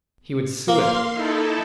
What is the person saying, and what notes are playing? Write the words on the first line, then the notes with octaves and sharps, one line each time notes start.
He would sue it.
A#3 F5 C6
D#4 E4 A4